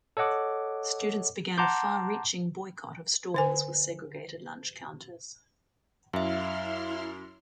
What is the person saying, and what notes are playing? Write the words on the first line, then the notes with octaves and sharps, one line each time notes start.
Students began a far-reaching boycott of stores with segregated lunch counters.
A4 C#5 D#5 F#5 D6
F#5 A5 A#5 C6 D6 G6
D3 C5 G#5
F#2 E4 E5 F5 C6 F6